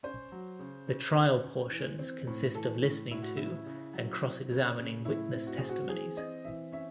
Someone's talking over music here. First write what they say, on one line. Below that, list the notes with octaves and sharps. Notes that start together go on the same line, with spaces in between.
The trial portions consist of listening to and cross-examining witness testimonies.
C#4 C5
F#3
C#3
C#3
C#4
C#4
E3
C4
A2
E3 A4
A2
A2 E4
F#4
C#3 E4
C#3
F#3
C4
C#3
C#3
A2 E4
C4
F#4
C4 G#4
F#4
E3 G#4
C4 D#5
E3 E5
C#4 E5